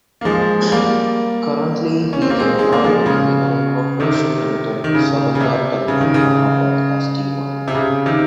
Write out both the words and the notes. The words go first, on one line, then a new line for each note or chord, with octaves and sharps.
Currently, he is employed with Indian Oil Corporation Limited, Subedar Terminal, Allahabad as Dy.
A#3
F3 G#3
G3 A#3
C#4
C4
A#3
G#3 C4
G#3
A#3
F3 G#3
C#3
C3 D#3
D#3
C#3
C#3
C3
C#3
D#3
C#3
C3
C#3
C3 D#3